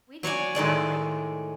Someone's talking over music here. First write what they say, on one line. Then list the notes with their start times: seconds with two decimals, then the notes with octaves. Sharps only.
we didn't have, like,
0.23 F#3 C#5 D5 G#5
0.55 A2 D#3 G#3 D5